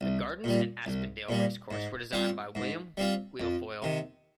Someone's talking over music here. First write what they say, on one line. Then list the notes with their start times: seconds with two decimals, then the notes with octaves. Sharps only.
The gardens at Aspendale Racecourse were designed by William Guilfoyle.
0.01 C2
0.44 A#2 G3
0.86 C2
1.29 A#2 G3
1.71 G#2
2.13 G3 C4 F4
2.55 G#2
2.97 G3 C4 F4
3.40 F2
3.82 C3 D#3